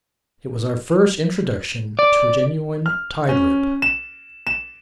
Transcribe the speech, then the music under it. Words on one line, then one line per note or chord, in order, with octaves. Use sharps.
It was our first introduction to a genuine tide rip.
D5
F6
C#4
E7
E7